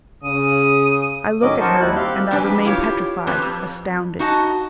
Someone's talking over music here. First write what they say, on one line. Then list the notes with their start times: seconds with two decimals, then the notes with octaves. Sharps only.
I look at her, and I remain petrified, astounded.
0.23 C#3 D#6
1.42 A2 D#3 F#3 C#4 D#5 D6
1.60 F#4 A#4 C5 D#5 A5 C#6
1.81 D#2 G3 E4 F#6
1.96 C4 G4 F5 F#6 G6
2.31 F2 C3 D4 B4 G5 G#5
2.65 E4 F4 G4 C#5
3.27 F3 C4 G4 B4 C#5
3.42 F2
4.19 D#4 F#4 D#5 F#5 A5